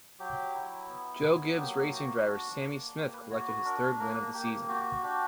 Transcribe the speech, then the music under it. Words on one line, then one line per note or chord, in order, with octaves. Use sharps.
Joe Gibbs Racing driver Sammy Smith collected his third win of the season.
F#3 G4
E4
B3
F#3
A#3 G4
F#4 G4
D4 F#4
A#3
A#3 G4
B4
F#4 C#5
B4
D4 A#4
A#3 A#4
A#3 G4
F#4 G4
D4 G4